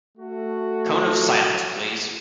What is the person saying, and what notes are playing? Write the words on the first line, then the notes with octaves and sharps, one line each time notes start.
Cone of silence, please.
A3 F#4